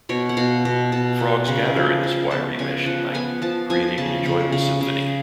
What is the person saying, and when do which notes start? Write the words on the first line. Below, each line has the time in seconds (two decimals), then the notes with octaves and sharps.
Frogs gather in this wiry mesh at night, creating an enjoyable symphony.
0.09 B2 C#5
0.29 F#5
0.37 B2 F5
0.65 B2
0.92 B2 A5
1.20 B3
1.48 C#3
1.76 F3
2.04 F3
2.31 B3 A5
2.59 C#3 G#5
2.86 F3 F#5
3.14 B3 G#5
3.42 F3 A5
3.70 F3 G#5
3.98 C#3 A5
4.26 C#3
4.52 C#3
4.81 C#3